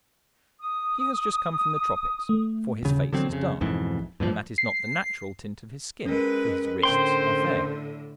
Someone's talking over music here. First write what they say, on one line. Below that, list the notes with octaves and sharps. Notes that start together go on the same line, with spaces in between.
He has just come from the tropics, for his face is dark, and that is not the natural tint of his skin, for his wrists are fair.
D#6
A3
D#1 C#3
D3 F#3 C4
F2 C#3
B1 F2 G#2 E3
G2 A#2 D3 F3
C7
G#3 C#4 A#4 B4
A2 D3 C5 G5 C6